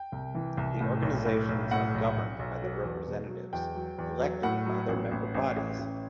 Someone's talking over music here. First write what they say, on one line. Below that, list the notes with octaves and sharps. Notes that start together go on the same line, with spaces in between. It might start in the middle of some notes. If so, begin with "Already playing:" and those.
The organisations are governed by representatives elected by their member bodies.
Already playing: G5
C2
E3
C2
A2
B1
A2
B1
A2 F#5
B1
B1
B1
F#3
E2
B2
F#3
E2 G5
F#3
E2
F#3
A2 F#5
F#3
A1
A1
A1
A1
A1